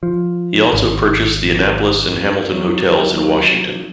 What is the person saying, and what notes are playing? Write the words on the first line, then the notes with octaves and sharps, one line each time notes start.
He also purchased the Annapolis and Hamilton hotels in Washington.
F3
G#1
F#3